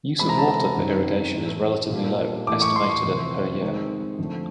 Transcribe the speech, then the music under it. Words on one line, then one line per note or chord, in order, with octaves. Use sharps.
Use of water for irrigation is relatively low, estimated at per year.
C3 E3 G#3 B5
A#5
A5
A#5
F#2 D#3 G3 C4 D#4
A2 E3 A3
A#2 G3 A#3 D4
A2 E3 A3 D6
C#6
C6
C#6
F2 C3 E3
D#3 G#3 C4 D#4
F2 D3 F3 A3